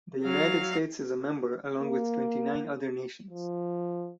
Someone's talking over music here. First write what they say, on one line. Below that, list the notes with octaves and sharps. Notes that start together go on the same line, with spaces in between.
The United States is a member along with twenty-nine other nations.
F#3 F5
A#3
F3